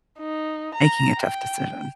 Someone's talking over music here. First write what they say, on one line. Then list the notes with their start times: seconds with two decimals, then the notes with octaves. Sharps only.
making a tough decision?
0.19 D#4
0.75 A#5
1.19 G5